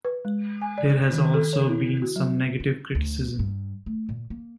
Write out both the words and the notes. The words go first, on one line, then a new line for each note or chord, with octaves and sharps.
There has also been some negative criticism.
B4
G#3
G#5
D5
D#3
A4
C#5
E4
F#4
F#3
D#4
D2
G2
A3
A#2
A#3